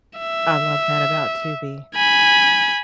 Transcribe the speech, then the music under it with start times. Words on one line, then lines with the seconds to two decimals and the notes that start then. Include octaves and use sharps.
I love that, about Tubi.
0.19 E5
1.95 G#5 B5